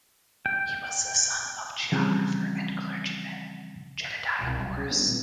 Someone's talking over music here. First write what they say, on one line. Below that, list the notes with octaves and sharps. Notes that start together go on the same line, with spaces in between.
He was the son of geographer and clergyman Jedidiah Morse.
G5
C#3 E3 F3 G3 C4
C2 B2
F#3
C#3
G1
D1 A#2